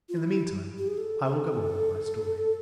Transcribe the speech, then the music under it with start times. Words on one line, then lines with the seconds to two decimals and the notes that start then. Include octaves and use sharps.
In the meantime, I will go on with my story.
0.09 F4
0.17 E4
0.78 G4
0.87 G#4
0.98 A4
1.24 A4